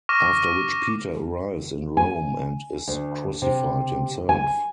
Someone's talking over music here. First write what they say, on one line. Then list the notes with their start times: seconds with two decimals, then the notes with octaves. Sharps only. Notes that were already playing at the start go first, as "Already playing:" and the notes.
After which Peter arrives in Rome and is crucified himself.
0.09 C#6 D6 F6 A#6
1.97 G#5
2.88 D2
3.42 C3
4.29 G#5